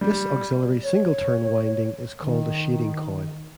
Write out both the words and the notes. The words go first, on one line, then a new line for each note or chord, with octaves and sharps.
This auxiliary single-turn winding is called a shading coil.
G3
C#5
D#3